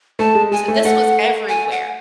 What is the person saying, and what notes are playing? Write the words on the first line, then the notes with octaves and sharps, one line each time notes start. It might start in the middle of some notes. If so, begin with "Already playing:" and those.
so this was everywhere.
A3 A5
G#3
G#3 G#5
A3
E5
A3 F#5
G#5
F#5